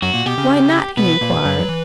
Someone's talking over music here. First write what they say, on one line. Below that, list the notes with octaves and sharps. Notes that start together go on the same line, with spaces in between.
'Why not?' he inquired.
F#2 F#3 F#4
A#2 A#3
B2 B3 G4
C#3 C#4
B2 B3 B4
A#2 A#3
F#2 F#3
F#3
E3